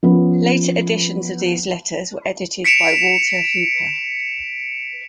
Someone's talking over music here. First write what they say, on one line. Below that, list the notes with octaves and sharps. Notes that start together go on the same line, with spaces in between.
Later editions of these letters were edited by Walter Hooper.
F3 B3 C#4
B6 C#7 D7 E7 F7